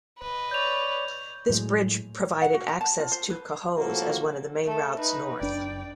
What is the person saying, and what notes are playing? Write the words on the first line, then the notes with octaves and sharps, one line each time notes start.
This bridge provided access to Cohoes as one of the main routes north.
B4 D#5
C#5 D5 G6 F7
A2 F#3 G#3
F#5
F#4
A#5
A5
F4
C5
B4
A2 F3 A#3 F#4 A4
A3 A4
D#4 B4
F#1 D4 D5 G5